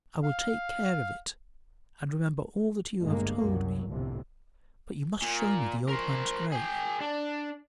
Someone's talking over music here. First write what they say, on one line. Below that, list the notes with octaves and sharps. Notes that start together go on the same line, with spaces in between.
"I will take care of it, and remember all that you have told me; but you must show me the old man's grave!"
F5
G1 G2 A#2 G#3 A#3
C2 F#2 F#3
G1 C2 F2 A2 C3
A#2
A#4 C5
G#4 G5
D4